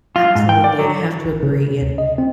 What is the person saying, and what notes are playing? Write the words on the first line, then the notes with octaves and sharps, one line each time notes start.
Absolutely, I have to agree, and
F4
G#2
G5
D5
F#3
G#1
C#3
C3
D2
D#5
C4